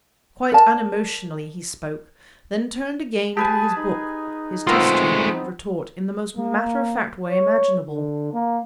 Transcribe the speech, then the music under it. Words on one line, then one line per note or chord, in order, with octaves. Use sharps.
Quite unemotionally he spoke, then turned again to his book, his test-tube and retort, in the most matter-of-fact way imaginable.
A#4 D5 A5
G4 G#4 B4 G#5 A5
D#4
G#3 A3 B3 C4 F4 A#4
A#3
C#5
D3
A#3